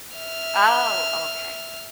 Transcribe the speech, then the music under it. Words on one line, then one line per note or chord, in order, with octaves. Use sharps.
Oh, okay.
E5 F6